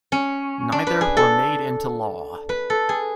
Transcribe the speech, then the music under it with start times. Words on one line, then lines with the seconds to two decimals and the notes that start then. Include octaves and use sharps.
Neither were made into law.
0.12 C#4
0.72 D4
0.87 B4
1.01 G#4
1.17 A4
2.49 B4
2.70 A4
2.89 G#4